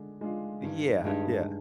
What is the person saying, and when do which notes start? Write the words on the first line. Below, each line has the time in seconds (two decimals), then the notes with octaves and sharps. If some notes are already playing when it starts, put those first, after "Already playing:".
Yeah, yeah.
Already playing: D3 G#3 D4
0.21 G#3 D4 F4
0.63 G2 D#3
1.04 G2 G#3 D#4 G#4